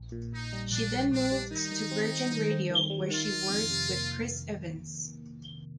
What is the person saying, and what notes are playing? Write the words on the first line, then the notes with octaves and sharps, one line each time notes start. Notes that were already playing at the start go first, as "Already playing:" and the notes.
She then moved to Virgin Radio where she worked with Chris Evans.
Already playing: A#1
A#2
A#2 D#4
G3
A#1 D4
G3
A#1 D4
G3
D#3 D#4
D#3
C4
C4
D#3
C4
D#3
G3
D#3 F4
D#3
F2
C3
A#3